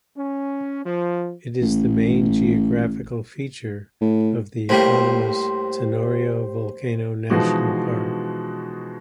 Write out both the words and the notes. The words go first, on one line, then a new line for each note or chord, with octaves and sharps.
It is the main geographical feature of the eponymous Tenorio Volcano National Park.
C#4
F3
A1
A2
A2 G3 A#3 C5
B2 E3 F3 G#3 D#4 F#4